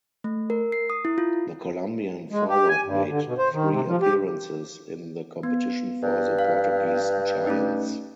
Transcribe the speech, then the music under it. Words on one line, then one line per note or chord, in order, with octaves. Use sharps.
The Colombian forward made three appearances in the competition for the Portuguese giants.
A3
A#4
C7
D#6
E4
F4
G#3
G4
G#5
G2
D3
B2
C5
D#3
C3
F3
G4
B3
G2
F5
A3 C#4 D#4